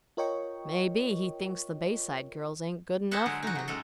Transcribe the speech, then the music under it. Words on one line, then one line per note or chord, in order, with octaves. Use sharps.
"Maybe he thinks the Bayside girls ain't good enough for him."
F4 A#4 C#5 D#5 G5 C#6
G#4 C5 D#5 E5 F#5 A5
D3 F#3 G#3
D#4 F#4
F#3 F#4
A2 F#3 G#3 C#4 A4